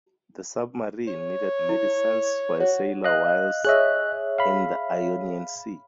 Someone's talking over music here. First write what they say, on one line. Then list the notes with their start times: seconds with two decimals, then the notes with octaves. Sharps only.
The submarine needed medicines for a sailor whilst in the Ionian Sea.
1.07 C#5
1.69 E4
2.60 F#4 C#5
3.04 D#5 F5 F#6
3.65 G#4 C#5 D#5 E5 F#6
4.39 F5 B5